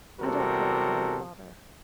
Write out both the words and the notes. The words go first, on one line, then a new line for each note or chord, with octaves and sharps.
'I don't feel hungry, father.
E2 C3 G3 F#4 A4 A#4